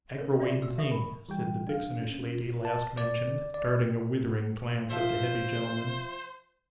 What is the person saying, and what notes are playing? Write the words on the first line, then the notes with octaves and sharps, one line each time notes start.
'Aggrawatin' thing!' said the vixenish lady last-mentioned, darting a withering glance at the heavy gentleman.
A#4 C#5
F4 D5 E5
F#4 E6
E5 C#6 D#6
A#4 B5
E3 G3 G5
D4 F5
C#4
A5
D5
D5
F3 C5 E5